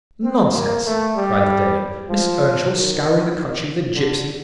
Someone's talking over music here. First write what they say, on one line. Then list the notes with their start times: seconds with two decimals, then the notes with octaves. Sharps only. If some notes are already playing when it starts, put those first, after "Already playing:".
Nonsense!" cried the dame; "Miss Earnshaw scouring the country with a gipsy!
0.23 C4
0.54 A#3
0.85 A3
1.16 G3
2.09 F3
2.71 D#3
3.95 D3